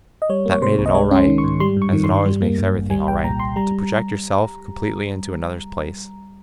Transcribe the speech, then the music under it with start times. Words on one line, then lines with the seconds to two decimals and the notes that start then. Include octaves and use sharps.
That made it all right--as it always makes everything all right to project yourself completely into another's place.
0.22 D#5
0.30 G3 C#5
0.46 A#3
0.52 C#5
0.62 C3 C5
0.78 C2
0.86 D#5
0.95 G#3 C#5
1.11 C#4 C6
1.27 D#3
1.38 C#6
1.44 G#2
1.60 G3 C6
1.77 G2
1.82 C#6
1.93 D#3
2.04 C6
2.09 G2
2.25 G3
2.42 A#3
2.58 G2
2.75 G#1
2.90 G3 G#5
3.08 C2 G5
3.24 A#2 A#5
3.40 C2 C6
3.56 G3 A#5